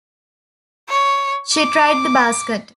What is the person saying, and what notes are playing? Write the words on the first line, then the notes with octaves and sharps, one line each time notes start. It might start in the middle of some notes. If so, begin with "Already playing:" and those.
She tried the basket.
C#5
D6